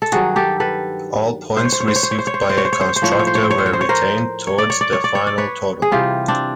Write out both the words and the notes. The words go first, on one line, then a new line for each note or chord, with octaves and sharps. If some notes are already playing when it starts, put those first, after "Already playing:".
All points received by a constructor were retained towards the final total.
A4
G2 D#3 F#3 F#4 G#4
G4 A4
A4 B4
C5
C#5
C5
C#5
C5
C#5
C5
C#5
C5
C#5
C5
C#5
C5
C#5
C5
C#5
C5
C#5
C5
A2 F3 C#5
C5
C#5
C5
C#5
C5
C#5
C5
C#5
C5
C#5
A#4 C5
C#5
D5
C#5
D5
C#5
D5
C#5
D5
B4 C#5
G#4
C3 E3 G3 F4 G4
C4 D4